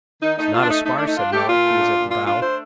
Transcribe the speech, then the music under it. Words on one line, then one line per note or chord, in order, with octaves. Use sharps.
"It's not a spar," said Melick, who was at the bow.
D#3 D#4
A3 D#4
A3 F4
D4
A3 D#4
A3 D#4
A3 D4
D#4
D4 F4
A3 G4
A#2 F4
A3
D4
A#2
D4 F4
D4 F4
A3 C5